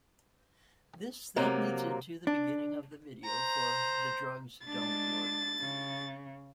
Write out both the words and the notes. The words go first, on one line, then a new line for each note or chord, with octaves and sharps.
This then leads into the beginning of the video for "The Drugs Don't Work".
C3 F#3 A#3
D4
C5 A#5
G#3 D4 A6
C#3